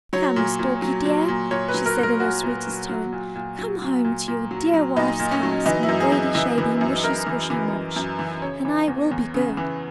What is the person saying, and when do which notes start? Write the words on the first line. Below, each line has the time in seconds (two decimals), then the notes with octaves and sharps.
"Come, Storkie dear," she said in her sweetest tone, "come home to your dear wife's house in the wady-shady, mushy-squshy marsh, and I will be good."
0.13 F#3 C#5
0.36 A#2
0.59 A#2
0.82 F#3
1.05 F#3
1.28 A#2
1.51 A#2 C#5
1.68 B4
1.74 F#3
1.86 A#4
1.98 F#3
2.03 A#4
2.20 A#2 F#4
2.43 A#2
2.67 F#3
2.89 F#3
3.12 A#2
3.35 A#2
3.59 F#3
3.82 F#3
4.04 A#2
4.28 A#2
4.51 F#3
4.74 F#3
4.96 A#2 D#4
5.19 A#2
5.31 C#4
5.43 F#3
5.66 E3 D#4
5.83 E4
5.89 F#2
6.00 G#4
6.12 F#2
6.35 E3 E4
6.58 E3
6.81 F#2
7.04 F#2 A#4
7.27 E3
7.50 E3
7.73 F#2
7.96 F#2
8.19 E3
8.42 C#3 C#5
8.65 E3
8.88 E2
9.12 E2
9.34 C#3
9.57 E3